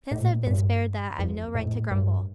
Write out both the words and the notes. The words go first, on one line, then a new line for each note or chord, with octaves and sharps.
Since I've been spared that, I've no right to grumble.
A2
A#2
A2
G2
F2
A2
G2